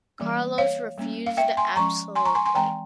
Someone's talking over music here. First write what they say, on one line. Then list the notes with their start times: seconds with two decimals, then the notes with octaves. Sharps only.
Carlos refused absolutely.
0.19 E3 G3 A#3 C#4
0.58 C#5 F5
0.98 G3 A#3 C#4
1.26 F5
1.37 E5 G5
1.57 G#5 C6
1.76 F3 G#3 C#4 A#5 C#6
2.15 G#5 C6
2.25 A#5 C#6
2.35 G#5 C6
2.45 G#5 C6
2.55 E3 G#3 C4 G5 A#5